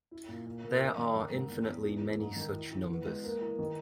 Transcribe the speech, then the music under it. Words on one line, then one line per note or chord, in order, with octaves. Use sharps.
There are infinitely many such numbers.
E4
A#2
A#2
A#3
D#4
D#3
D#3
G#2
E2
E2
E3
E3
G#2
D#3
E4
E3
B3
G#3
A#3
E3
D#3